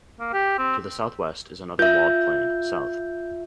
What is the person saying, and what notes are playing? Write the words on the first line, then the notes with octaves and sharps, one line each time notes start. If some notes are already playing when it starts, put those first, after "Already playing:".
To the southwest is another walled plain, South.
A#3
G4
C4
F4 E5 G6